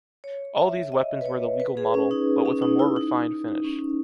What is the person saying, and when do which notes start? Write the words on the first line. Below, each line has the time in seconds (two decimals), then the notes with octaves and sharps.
All these weapons were the legal model, but with a more refined finish.
0.24 C#5
0.58 E5
0.92 D#5
1.21 B4
1.26 C#5
1.60 B4
1.77 G#4
1.94 C#4
2.11 D#4
2.45 C#4
2.62 D#4
2.79 E4
2.96 D#4
3.64 C#4